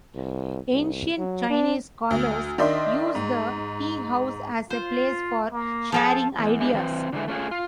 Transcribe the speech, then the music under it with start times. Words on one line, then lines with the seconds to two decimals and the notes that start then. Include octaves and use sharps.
Ancient Chinese scholars used the teahouse as a place for sharing ideas.
0.15 C2
0.72 C2
1.18 F#3
1.50 D4
2.11 D2
2.58 D#3 D4 D#5 E5 C6
3.15 G#2
4.70 F4 C5
5.53 A#3
5.92 F3 F4 G#4 A4
6.39 E2
6.60 G#3 D4 E4 G4 G#4
6.74 E3 C4
7.13 D3 E3 G#3 A3
7.28 A3 C#4 F4 G#4
7.51 F4